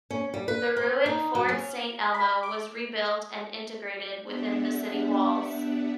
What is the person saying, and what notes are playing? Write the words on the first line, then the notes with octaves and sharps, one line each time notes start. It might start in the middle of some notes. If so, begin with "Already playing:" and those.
The ruined Fort Saint Elmo was rebuilt and integrated within the city walls.
C#4
G3
B4
C4
D#4
F#3
C#4
B5
D6
B3 D4 G4 D5 E5 F#5